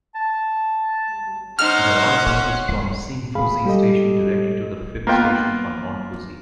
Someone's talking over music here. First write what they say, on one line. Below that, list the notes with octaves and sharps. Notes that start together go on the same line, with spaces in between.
There are buses from Shin-Fuji Station directly to the fifth Station on Mount Fuji.
A5
C#4 D#4 C5 C#5 F#5 F6
A2 G#4 F5 B5
G3 G4 A4 D#5
A#3 B3 F4 G5